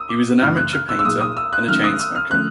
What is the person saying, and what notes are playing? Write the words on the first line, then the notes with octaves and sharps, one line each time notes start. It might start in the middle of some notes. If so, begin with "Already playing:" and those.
He was an amateur painter and a chain smoker.
Already playing: D#6 E6
D6
F#2 C#3 E3 A3 D4 F6
F#6
F6
E6
E6
A#2 F#3 A#3 D#4 G#4 D#6
D#6
E6
F#6
D#3 F#3 A3 C#4 F6
D#6
E6
F6
D3 F3 A3 C#4 F#6